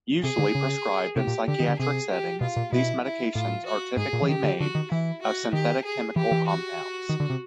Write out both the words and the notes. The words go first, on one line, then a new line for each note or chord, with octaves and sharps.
Usually prescribed in psychiatric settings, these medications are typically made of synthetic chemical compounds.
C3 G#4
D3
C#3
C3 G4
A#2
D3 G4
D#3
D3
C3 G#4
G4
B2 F4
A#2
B2 E4
E4
A2 F4
F#4
G#2 G#4
A#2
E3
D#3 G4
D3
D3 F#4
D#3
E3 E4
F#4
D#3 G4
G#4
E3 G4
E3
F#4
D#3
D3
C3